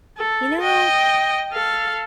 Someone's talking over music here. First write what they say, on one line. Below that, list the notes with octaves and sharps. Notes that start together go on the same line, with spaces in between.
"You know,
A4
D#5 G5
A4 F5